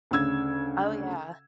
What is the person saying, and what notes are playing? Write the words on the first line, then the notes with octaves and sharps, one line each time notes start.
Oh, yeah.
D2 C#3 E6 G#6